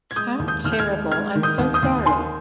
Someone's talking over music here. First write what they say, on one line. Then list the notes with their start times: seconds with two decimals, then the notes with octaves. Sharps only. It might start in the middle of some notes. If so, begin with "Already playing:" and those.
How terrible, I'm so sorry.
0.11 G#6
0.16 G#3 D#6 G6
0.39 D#2
0.48 D#6 G6
0.64 D#2 F6
0.72 G6
0.79 F6 G#6
0.87 G#3
1.11 G#3 F6 G#6
1.35 D#3
1.43 D#6 G6
1.58 D#2
1.74 D#6 G6
1.83 D#2
2.06 D#3 G#5 C6